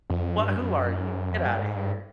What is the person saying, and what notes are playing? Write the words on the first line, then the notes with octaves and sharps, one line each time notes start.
What who are you? Get out of here."
F2
G2
F#2
F2
G2
G#2
G2